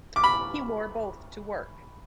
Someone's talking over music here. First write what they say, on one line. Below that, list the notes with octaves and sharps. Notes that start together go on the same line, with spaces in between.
He wore both to work.
D6
B5